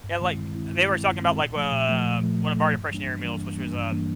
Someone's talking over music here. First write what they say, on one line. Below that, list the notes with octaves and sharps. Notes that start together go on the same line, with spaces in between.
Yeah, like, they were talking about. like, uh, one of our depression era meals, which was a
G2
D#3 G#3 C4 E4
G2
D#3 G#3 C4 E4
G2
D#3 G#3 C4 E4
G2
D#3 G#3 C4 E4
A#2
F3 A3
A#2
F3 A3
A#2
F3 A3
A#2
F3 A3
G2
E3 G3 A#3 D4
G2
E3 G3 A#3 D4
G2
E3 G3 A#3 D4
G2
E3 G3 A#3 D4